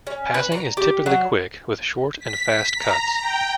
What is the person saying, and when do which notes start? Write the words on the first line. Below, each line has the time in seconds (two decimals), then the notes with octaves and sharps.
Passing is typically quick, with short and fast cuts.
0.07 C#4
0.34 B4
0.52 A#5
0.77 G4
1.06 F#3
2.20 B6
2.75 A#5
3.21 G5